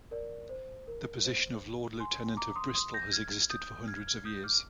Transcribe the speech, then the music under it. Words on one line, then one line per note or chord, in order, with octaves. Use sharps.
The position of Lord-Lieutenant of Bristol has existed for hundreds of years.
A#4 D5
C5
A#4
C5
G#5 C6
A#5 D6
C6 D#6
C6 D#6
G6 A#6
F6 G#6
D#6 G6
F6 G#6
F6 G#6
D#6 G6
G6
D6 F6